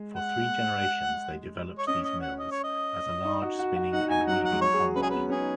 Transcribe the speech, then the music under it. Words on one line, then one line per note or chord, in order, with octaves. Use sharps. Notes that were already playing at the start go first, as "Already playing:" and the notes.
For three generations they developed these mills, as a large spinning and weaving combine.
Already playing: G#3
F#5
C#5
C#4 D#5
D#5
F#5
D#5
C#5
D#5
D#4
F#4
F#4
F#4
D#4 F#5
F#4
D#4 G#5
F#3 F#5
F#5
G#3
F#3 C#5
G#4
F#4
C#4 B4
G#4
B3 B4
C#4 G#4
D#4